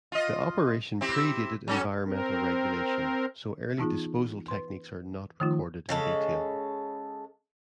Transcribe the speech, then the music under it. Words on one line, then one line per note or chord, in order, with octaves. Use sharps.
The operation predated environmental regulation, so early disposal techniques are not recorded in detail.
F4 D#5
C4 E4 G4
F#3 C#4 A4
C4 A#4
E3 B3 D#4 F4 G#4
B4 C6
D#3 F3 A3 D#4 F4
C#3 G#3 A4